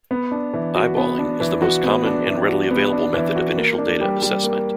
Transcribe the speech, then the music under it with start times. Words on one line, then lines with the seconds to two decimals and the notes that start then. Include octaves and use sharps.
"Eyeballing" is the most common and readily available method of initial data assessment.
0.11 B3
0.31 D4
0.54 E3
0.75 F#4
0.97 B3
1.18 D4
1.40 E3
1.62 F#4
1.83 B3
2.06 D4
2.27 E3
2.49 F#4
2.71 B3
2.92 D4
3.14 E3
3.36 F#4
3.57 A#3
3.78 D4
4.01 G3
4.22 G3
4.44 A#3